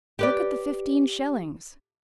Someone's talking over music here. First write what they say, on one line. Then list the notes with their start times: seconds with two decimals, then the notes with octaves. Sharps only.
Look at the fifteen shillings!
0.19 G4 B4 D5